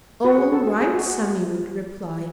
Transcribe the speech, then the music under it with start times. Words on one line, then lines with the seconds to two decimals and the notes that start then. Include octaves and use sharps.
"All right," Sammy would reply.
0.24 F#4
0.38 G#4
0.52 A4
0.67 G#4
0.81 G#4
0.95 F#4